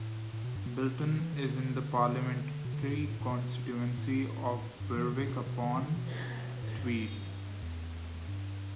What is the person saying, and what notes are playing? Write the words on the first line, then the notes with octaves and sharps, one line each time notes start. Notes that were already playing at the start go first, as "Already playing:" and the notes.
Bilton is in the parliamentary constituency of Berwick-upon-Tweed.
Already playing: A2
A2
B2
G2
B2
E3
D3
D3
B2
D3
B2
A2
G2
A2
A2
B2
A2
G2
E3
D3
B2
A2
B2
B2
D3
E3
B2
D3
B2
A2
G2
E2
G2